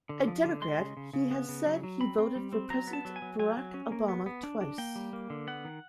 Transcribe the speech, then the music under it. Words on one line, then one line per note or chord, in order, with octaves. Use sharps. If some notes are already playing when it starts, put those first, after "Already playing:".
A Democrat, he has said he voted for President Barack Obama twice.
D3
F3
D3
G#3 C6
C#3
C#3
C#3
B3
C#3
F#3
F#3
C4 B5
C4
G3
C4
F#3 A#5
B3
A5
F#3
G#5
F#3
F#3 G#5
F#3
C#4
A#3
B3
B3
D4
D4
A#3 G5
G3
A#3
D3
B3 F#5
D#3